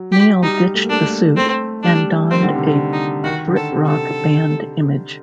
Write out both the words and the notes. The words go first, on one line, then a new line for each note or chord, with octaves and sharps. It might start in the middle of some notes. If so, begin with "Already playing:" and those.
Neil ditched the suit and donned a Britrock band image.
Already playing: F#3
G4
G3 D#4
A3
A#3
A3 D4
A#3
A3 C4
G3 D4
D#3 C4
D3
C3
D3
D#4
D#3 F#4
D3
A4
C3
A4
C3